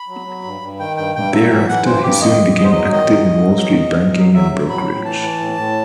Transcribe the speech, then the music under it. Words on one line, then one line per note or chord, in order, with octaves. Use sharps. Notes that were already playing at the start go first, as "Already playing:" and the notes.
Thereafter he soon became active in Wall Street banking and brokerage.
Already playing: B5
F#3
F#3
G2
G2
D#3 G5
G2 G5
G2 G5
F#3 E5
E3 E5
E3 F#5
G2 C5
G2 G4
D#3 D#5
E2
E2 D#5
C5
F#3 D#5
D#3 D#5
F#2
F#2
F#3
D#3
F#2
F#2
F#3
F#3 E5
F#3
A2 B5
A2
E3 A5
E3
A2
A2